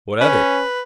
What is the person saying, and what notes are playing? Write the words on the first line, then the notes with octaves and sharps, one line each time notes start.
"What of it?"
C#4 B4